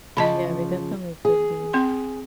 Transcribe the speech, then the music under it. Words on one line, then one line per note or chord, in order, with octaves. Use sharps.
Yeah, they definitely could be.
C#3 F3 D#5 A5 B5
G#4
C4 C6